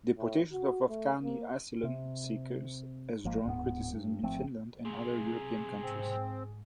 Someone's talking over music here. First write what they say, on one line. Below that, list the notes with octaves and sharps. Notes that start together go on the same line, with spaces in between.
Deportations of Afghani asylum seekers has drawn criticism in Finland and other European countries.
A2
F#4
A3
A#3
C3
G#1 F3 G#3 A#3
D1 G#2 G#3 B3
G2
G#1 F3 A3 C4
B1 C3 G#4
G#2 C4